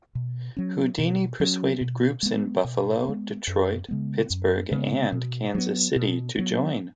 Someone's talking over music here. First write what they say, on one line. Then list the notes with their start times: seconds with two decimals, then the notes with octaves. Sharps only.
Houdini persuaded groups in Buffalo, Detroit, Pittsburgh, and Kansas City to join.
0.15 B2
0.57 F#3 C#4
0.98 B2
1.40 F#3 C#4
1.81 B2
2.23 G#3 B3
2.64 B2
3.05 G#3 B3
3.47 F#2
3.88 C#3 G#3 B3
4.30 F#2
4.72 C#3 G#3 B3
5.12 B2
5.55 F#3 B3
5.96 B2
6.37 F#3 B3